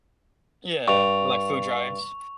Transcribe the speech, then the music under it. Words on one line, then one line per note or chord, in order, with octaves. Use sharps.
Yeah, like food drives.
G2 C#6 F7